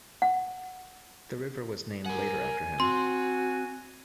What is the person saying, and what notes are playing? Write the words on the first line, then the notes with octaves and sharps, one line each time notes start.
The river was named later after him.
F#5
A#4 F#5 G#5
C4 F#4 C6